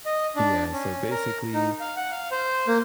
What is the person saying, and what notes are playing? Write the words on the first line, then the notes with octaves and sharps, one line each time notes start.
Yeah, so, basically,
D#5
D4
C#4
A#4
D#4
F5
F#5
F5
C5
A#3